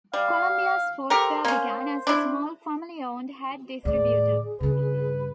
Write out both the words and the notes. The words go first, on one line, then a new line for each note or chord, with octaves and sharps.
Columbia Sportswear began as a small, family-owned hat distributor.
G3 F5
G4 A4 A#4 C5
A#3 C#4
D4 E4
D#2 A2 G#4 D5
G2 C#3 B4